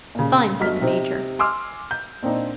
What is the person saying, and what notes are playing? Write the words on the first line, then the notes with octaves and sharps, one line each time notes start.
"Fine," said the Major.
A#2 C#3
G1 F#3 D#5 F6 B6
C3 D#4 C5
G#5 C6 D6 E6 F6
G6
A#2 C4 D4 D#4